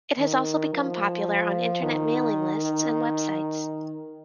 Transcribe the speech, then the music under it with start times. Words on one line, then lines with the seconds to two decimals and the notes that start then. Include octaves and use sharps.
It has also become popular on Internet mailing lists and websites.
0.19 D#3
0.74 F3
1.82 D#3